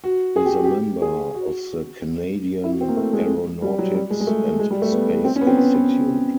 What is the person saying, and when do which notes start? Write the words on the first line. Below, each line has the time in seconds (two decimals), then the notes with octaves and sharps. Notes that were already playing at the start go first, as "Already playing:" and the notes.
He is a member of the Canadian Aeronautics and Space Institute.
0.04 F#4
0.36 G#4
0.45 G4
0.55 F#4
0.64 G4
1.02 G#4
1.35 F#4
2.64 E4
2.72 F#4
2.81 C4
2.89 A#3
2.97 A3
3.13 G#3
3.62 G3
3.79 F#3
3.95 G3
4.10 G#3
4.21 G#3
4.27 A3
4.59 G#3
4.71 G3
4.82 A3
4.92 B3
5.25 C4
5.36 C#4
5.41 B3
5.47 C4
5.58 B3
5.74 B3